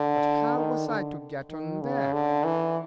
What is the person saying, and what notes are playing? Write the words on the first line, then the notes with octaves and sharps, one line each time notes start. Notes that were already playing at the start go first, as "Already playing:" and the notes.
But how was I to get on deck?
Already playing: D3
D#3
D3
D#3
C#3
D3
E3